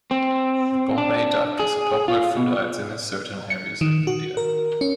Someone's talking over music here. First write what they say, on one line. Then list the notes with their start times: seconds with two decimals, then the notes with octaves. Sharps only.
The Bombay duck is a popular food item in certain areas of India.
0.11 C4
0.98 D4
1.60 G#4
2.08 F4
2.37 B2
3.50 C#7
3.81 D#3
4.07 F#4
4.37 A#4
4.81 C#4